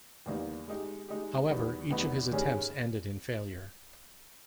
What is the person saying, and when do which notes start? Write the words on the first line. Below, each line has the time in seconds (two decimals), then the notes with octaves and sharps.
However, each of his attempts ended in failure.
0.26 E2 D#3 G3 A#3 D#4
0.68 G#3 D#4 G4
1.08 G#3 D#4 G4
1.50 E2 D#3 G3 B3 D#4
1.90 E2 D#3 G3 B3 D#4
2.31 G2 D#3 G3 C#4 G#4